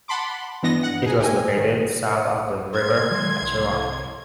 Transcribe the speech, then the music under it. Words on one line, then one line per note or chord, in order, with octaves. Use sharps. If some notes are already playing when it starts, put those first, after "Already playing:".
It was located south of the river Acheron.
F#5 A5 B5 C6 D6
G2 E3 B3 D4 D#5 A#6
F#5
D#4 G#4
G4 D#5 G#5
D#3
C6 G#6
D#3 F#3 G#3
C2